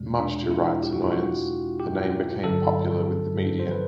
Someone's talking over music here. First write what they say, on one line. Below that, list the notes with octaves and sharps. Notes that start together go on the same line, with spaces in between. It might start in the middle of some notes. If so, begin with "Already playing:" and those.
Much to Wright's annoyance, the name became popular with the media.
Already playing: E2 B2 G#3
D4
F4
E4
G4
F#4
F4
F#4
G4
G2 D3 F#3 A4
C5
B4